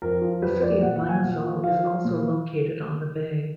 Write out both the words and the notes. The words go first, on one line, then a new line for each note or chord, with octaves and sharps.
The city of Limassol is also located on the bay.
F2 A#4
F3
F2 B4
F2 D5
A#2 F#5
F#5
F3
G#5
A#2 F#5
F3
F3 F5
F3
A#2